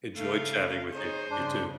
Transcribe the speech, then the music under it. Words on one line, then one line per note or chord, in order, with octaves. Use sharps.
Enjoy chatting with you. You too.
C#3 A3 F5
D#4 G#4 C5 C#5
G2 C#3 D4